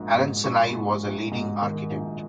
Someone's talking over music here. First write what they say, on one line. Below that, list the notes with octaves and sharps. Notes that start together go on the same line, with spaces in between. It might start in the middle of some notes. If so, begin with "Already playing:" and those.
Allen Sinai was a leading architect.
Already playing: A#1 G#2
G#2
A#1 C#6
B5
C#6
G#2
A#1
G#2 D#5
D#3
A#1